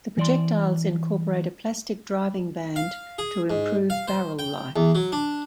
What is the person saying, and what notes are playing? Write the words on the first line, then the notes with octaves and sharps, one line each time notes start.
The projectiles incorporate a plastic driving band to improve barrel life.
E3 D5 C6
F5
G#4
G#2
F5
C5
G5
E2
F#3
D4